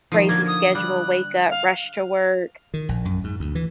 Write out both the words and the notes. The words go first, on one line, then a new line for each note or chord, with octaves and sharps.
crazy schedule, wake up, rush to work,
D#3 F3
D3 A#3 A#4 G#6
D#6
G3 F#6
F5
D#3
A#1
F#2
G#2
D2
E3